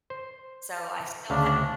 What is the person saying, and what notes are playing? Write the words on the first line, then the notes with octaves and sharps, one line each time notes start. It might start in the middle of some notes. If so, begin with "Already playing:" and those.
so, I still haven't
C5
D2 C#3 D4 F5